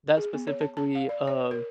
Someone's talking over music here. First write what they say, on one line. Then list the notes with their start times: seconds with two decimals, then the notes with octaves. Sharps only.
that specifically of
0.17 G#4
0.33 B3
0.47 C#5
0.61 A5
0.77 A5
0.95 F5
1.09 D5
1.27 C#5
1.51 A#4